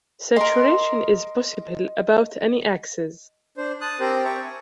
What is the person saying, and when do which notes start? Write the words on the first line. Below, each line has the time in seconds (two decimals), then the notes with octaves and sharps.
Saturation is possible about any axis.
0.36 A#4 D#5 C6
3.57 D4 C5
3.81 A5 D#6 F#6
4.00 C4 G4 A#4 C5
4.24 E5 G5 A5 A#5 C#6
4.44 G#5